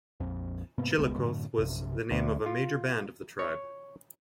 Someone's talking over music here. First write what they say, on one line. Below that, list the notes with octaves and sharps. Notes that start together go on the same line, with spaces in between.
"Chillicothe" was also the name of a major band of the tribe.
A#1 F2
G#2 C3 A#3 B3
D#1 C2 G#3 B3
F#2 A2 D3
A#1 F#2 C3
D2
F4
C#5